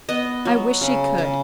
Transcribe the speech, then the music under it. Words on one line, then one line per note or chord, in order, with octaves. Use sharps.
I wish she could.
B3 D#5
F#3
C#3
C#3